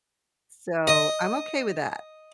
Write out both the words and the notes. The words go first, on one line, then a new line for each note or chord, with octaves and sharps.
So, I'm okay with that.
D#5